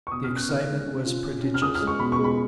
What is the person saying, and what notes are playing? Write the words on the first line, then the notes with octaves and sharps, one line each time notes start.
The excitement was prodigious.
C#6
B2 D#6
F6
C#4
F#6
D#3 F6
G#3
C#4
F4
C#4
C#4
F6
C#3 D#6
F6
G#3
C#6
B2 B5
C#6
G#3
B5